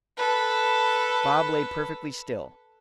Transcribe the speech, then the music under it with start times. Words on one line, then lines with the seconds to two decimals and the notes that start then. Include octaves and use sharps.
Bob lay perfectly still.
0.17 A4 B4